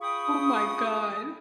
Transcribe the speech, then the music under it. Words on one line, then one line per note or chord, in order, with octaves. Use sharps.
Oh my god.
F4 G#4 G5 B5 C#6 D#6